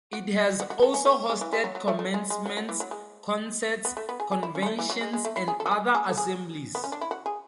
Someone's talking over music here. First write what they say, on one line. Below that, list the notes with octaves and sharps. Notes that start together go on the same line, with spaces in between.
It has also hosted commencements, concerts, conventions and other assemblies.
F#4
F#4
F#4
A4
C#4
A3
G#3
E3
G#3
F#3
F#3
A3
A3
G#3
G#3
F#3
F#3
E3
F#3
G#3
B3
A3
B3
G#4
G#4
E4
C#4
G#3
A3
E3
F#3
G#3
G#3
A3
E4
G#4
A4
F#4
G#4
G#4
A4
G#4
B3
C#4
D4
E4
F#4
G#4